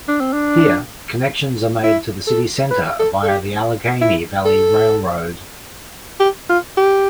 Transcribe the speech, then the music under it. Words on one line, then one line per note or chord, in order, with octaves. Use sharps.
Here, connections are made to the city center via the Allegheny Valley Railroad.
D4
C4
D4
E4
A4
B4
A4
A4
G4
E4
A4
G4
F4
G4